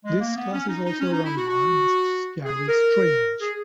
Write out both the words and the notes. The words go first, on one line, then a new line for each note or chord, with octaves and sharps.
This class is also run by Mrs. Cari Strange.
G#3
A#3
B3
C#4
D#4
D#4
C#4
D#4
E4
F#4
F#4
G#4
A#4
G#4